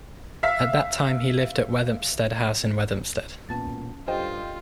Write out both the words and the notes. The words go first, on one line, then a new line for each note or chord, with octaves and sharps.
At that time he lived at Wheathampstead House in Wheathampstead.
E5 F5 E6 B6
E1 A#2 B3 C#4 A5 A6
G2 F4 G4 A4 C5 D5 D#5 G5